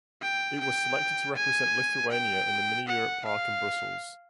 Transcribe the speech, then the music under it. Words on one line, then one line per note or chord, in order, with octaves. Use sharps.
It was selected to represent Lithuania in the Mini-Europe Park in Brussels.
G5
G5
G#5
G5
F#5
F5